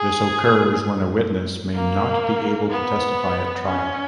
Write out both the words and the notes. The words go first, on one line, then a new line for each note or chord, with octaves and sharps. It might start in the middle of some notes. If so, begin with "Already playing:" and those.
This occurs when a witness may not be able to testify at trial.
Already playing: G#4
A#3
B3
C#4